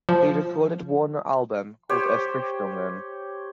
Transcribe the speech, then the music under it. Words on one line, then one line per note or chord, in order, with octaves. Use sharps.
He recorded one album called "Erfrischungen".
F3
G4 C5 C#5